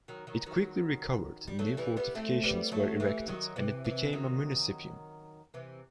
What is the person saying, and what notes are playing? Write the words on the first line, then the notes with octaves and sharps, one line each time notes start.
It quickly recovered, new fortifications were erected, and it became a "municipium".
D#3 F#3
D#3 F#3
D#3 F#3
G3
F#3 A3
E3 G3
G3 B3
A3 C4
G3 B3
F#3 A3
E3 G3
D#3 F#3
C3 E3
C3 E3
D#3 F#3
C3 E3